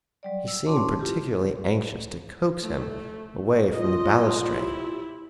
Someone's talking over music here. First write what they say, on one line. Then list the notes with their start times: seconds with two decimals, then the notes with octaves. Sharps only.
He seemed particularly anxious to coax him away from the balustrade.
0.23 F#3 G3 D5
0.48 E6
0.66 C#4 F#4 C#5 A5 C6 D6
0.99 E4 F4 G4
2.59 A3
3.73 F4 D#5
4.48 E4 G4